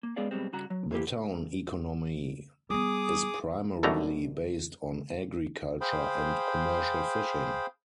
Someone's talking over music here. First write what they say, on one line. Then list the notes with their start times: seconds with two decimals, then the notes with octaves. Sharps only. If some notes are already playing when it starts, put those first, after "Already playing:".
The town economy is primarily based on agriculture and commercial fishing.
0.03 A#3
0.16 G#3 B3 C#4 G#4 D5 F5
0.31 F#2 B2 G3 G#3 C4
0.53 G2 C#3 F#4 A#5
0.70 F#3
0.91 E3 A#3 E4 G4
2.70 G3 B3 G#4 D6 D#6
3.83 C2 F#2 B2 D3 A3 A#5
5.81 G#4 C5 F5 G5 B5